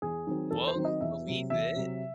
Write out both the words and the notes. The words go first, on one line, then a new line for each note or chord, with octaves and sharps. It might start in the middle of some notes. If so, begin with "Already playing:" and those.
Well, believe it.
E2 G#4
D#3 F#3 C4
E2 A4
C5
D#3 F#3 C4
D#5
E2 E5
C3 F#3
E2 E5
C3 F#3